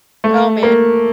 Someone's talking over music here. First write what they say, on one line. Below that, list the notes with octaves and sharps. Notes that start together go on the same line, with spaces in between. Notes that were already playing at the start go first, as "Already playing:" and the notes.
Oh, man.
A3
A#3